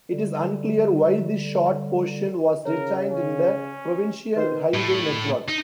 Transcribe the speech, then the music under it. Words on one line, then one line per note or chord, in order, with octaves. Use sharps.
It is unclear why this short portion was retained in the provincial highway network.
D3 G3
C#3 A#4 C#5
C#4
D#3 B4 C5 D#5
A2
D#4